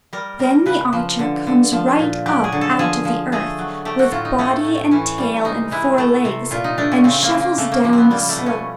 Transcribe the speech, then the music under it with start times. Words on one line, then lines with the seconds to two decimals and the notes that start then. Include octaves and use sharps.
Then the otter comes right up out of the earth, with body and tail and four legs, and shuffles down the slope.
0.13 G3 A#4
0.39 G3 A#4
0.66 C#3 B4
0.93 F3
1.19 D3
1.47 D3
1.72 F3
1.99 A#2
2.26 F#3 G4
2.44 G#4
2.52 D3
2.61 A4
2.79 F3 G#4
3.05 F3
3.32 A3 G#4
3.59 F#3
3.85 A3 G4
3.99 F#4
4.11 A2 F4
4.25 D#4
4.39 A3 C#4
4.65 A2
4.91 E3 C#4
5.18 G3
5.44 C3 D#4
5.71 G#3 E4
5.98 A3
6.25 C3
6.51 A#2 F4
6.64 D#4
6.78 A3 D4
6.92 C#4
7.04 C#3 C4
7.23 A#3
7.31 C#3
7.40 A#3
7.58 C#3 A3
7.72 A#3
7.84 F3 A#3
7.93 B3 C4
8.11 G3 A#3
8.29 A3
8.37 B2
8.46 C#4